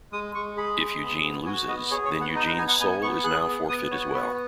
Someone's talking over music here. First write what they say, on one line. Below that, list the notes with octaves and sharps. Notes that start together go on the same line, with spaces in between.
If Eugene loses, then Eugene's soul is now forfeit as well.
G#3 D#6
G#3 C#6
G#4 B5
G#4
B3
B3
F#4 G#5
B3 D#5
G#4 C#5
C#5
B3
F#5
D#4 D#5
B4
B3 G#5
F#5
B3 G#5
G#5
B3 C#6
G#4 F#6
B3
B3 D#6
F#4 C#5
B3 B4